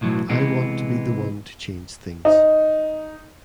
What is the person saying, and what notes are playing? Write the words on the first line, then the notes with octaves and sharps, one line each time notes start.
I want to be the one to change things.
B1 A2 E3 F#3
C3 E3 G#3 B3
D#4